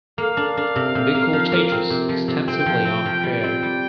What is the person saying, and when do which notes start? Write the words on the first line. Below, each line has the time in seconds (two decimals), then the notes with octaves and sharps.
Bickle teaches extensively on prayer.
0.18 A#3 F5
0.37 D4
0.57 D4
0.76 C3
0.95 C3
1.15 A#3
1.33 F3
1.52 A#3
1.72 C4
1.90 C3
2.09 F3
2.28 C3
2.47 C4 G5
2.66 F3
2.85 C4
3.06 F3
3.23 G3 G5
3.44 C4
3.63 G3